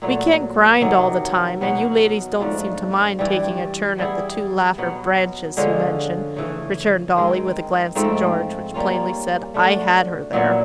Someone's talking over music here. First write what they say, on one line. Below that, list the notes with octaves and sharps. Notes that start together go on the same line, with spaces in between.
We can't grind all the time and you ladies don't seem to mind taking a turn at the two latter "branches" you mention,' returned Dolly, with a glance at George which plainly said, 'I had her there.'
A#2 F#3 A3
C3 D#3 F#3
B2 F#3 B3
G#2 F3 A3 D4
G2 E3 G3
G3 B3 E4 G#4
B2 F#3 B3
D3 F3 G#3 C#4
C#3 E3 A3
D#3 G#3 C4
G#2 F3 A3 C4
G3 A#3 C#4 F4
A3 D4 F#4
A#2 F#3 B3 E4